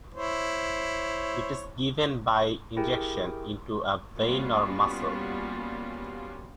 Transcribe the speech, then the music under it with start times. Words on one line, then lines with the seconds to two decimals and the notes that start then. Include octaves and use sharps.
It is given by injection into a vein or muscle.
0.14 E4 C5 C#5
2.77 E4 G4 G#4 A#4 G5
4.15 G3 A#3 B3 C#4 F4 F#4